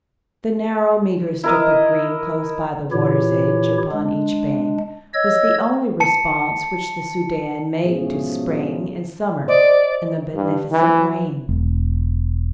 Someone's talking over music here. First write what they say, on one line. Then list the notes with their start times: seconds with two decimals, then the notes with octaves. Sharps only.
The narrow meagre strip of green close by the water's edge upon each bank was the only response which the Soudan made to Spring and Summer and the beneficent rain.
1.44 E4 A#4 D#5
2.92 A#2 E3 E4 G4 C#5
3.92 G#3 D4
5.14 C#5 D#5 E6 G#6
6.00 A5 C#7
7.85 G#2 B2 F3 A3 C#4 G#4
9.48 C5 D5 D#5
10.35 G2
10.72 E3
11.49 E1